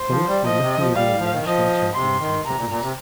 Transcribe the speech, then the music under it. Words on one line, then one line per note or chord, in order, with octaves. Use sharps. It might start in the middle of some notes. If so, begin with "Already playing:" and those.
Both were Lithuanian National Champions in Fitness.
Already playing: C5
F3
G3
F3 D#5
C3
F3
G3 F5
F3
D#3
F3 D#5
C3 C6
D#3
C3 A#5
A#2
A#2
C3